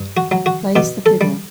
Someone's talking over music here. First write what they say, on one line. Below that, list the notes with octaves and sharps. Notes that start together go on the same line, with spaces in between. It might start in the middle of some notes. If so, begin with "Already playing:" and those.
Plays the fiddle.
Already playing: G2
F#4
F#3
F#4
B2 G4
A4
G3